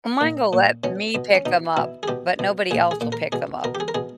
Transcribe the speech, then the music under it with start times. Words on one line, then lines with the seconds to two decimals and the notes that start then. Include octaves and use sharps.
Mine will let me pick them up, but nobody else will pick them up.
0.21 A#2
0.53 A#2
0.84 B2 C#4
1.15 B2
1.35 C#4
1.46 B2 D#4
1.77 B2 E4
2.03 G#4
2.08 B2 G4
2.39 B2
2.71 A#2 G#4
2.91 G#4
3.01 A#2
3.12 A#4
3.32 B2 G#4
3.64 B2 A#4
3.75 G4
3.80 G#4
3.88 A#4
3.95 B2 G#4